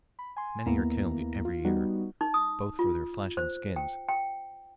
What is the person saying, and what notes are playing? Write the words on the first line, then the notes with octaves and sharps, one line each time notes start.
Many are killed every year, both for their flesh and skins.
B5
G#5 C6
D#2 A#3 B3 E4 A#5
F4
G3 B3 D#4 F#4
D#4
D#6
F4
C5
G5
G5